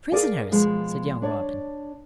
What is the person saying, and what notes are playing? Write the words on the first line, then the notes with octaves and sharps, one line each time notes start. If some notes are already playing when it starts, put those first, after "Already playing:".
"Prisoners!" said young Robin.
G#4 A#4 D5 F5 G#5
B2 F3 G#3
D4 C#5 D5